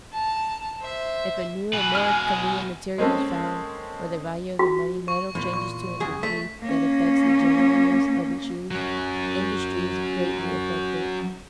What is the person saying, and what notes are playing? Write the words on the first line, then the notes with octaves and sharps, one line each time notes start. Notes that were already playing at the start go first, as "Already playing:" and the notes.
If a new and more convenient material is found, or the value of the money metal changes to a degree that affects the generalness of its use, industry is greatly affected.
A5 A#5
C5 E5
B2 E3 B4 G#5
G#3 F6
G#3 A#3 C4 C#4 A4
F#4
C#6
E2 A#2
C#6
C#2 F#2 G#4
A3 B6
A#3 C#4
F#3 C#4